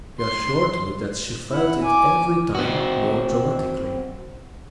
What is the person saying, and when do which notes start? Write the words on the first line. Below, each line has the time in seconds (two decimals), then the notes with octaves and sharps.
She assured me that she felt it every time more dramatically.
0.21 C6
1.50 E4 F#5
1.82 G#5 D6
2.55 C4 F#4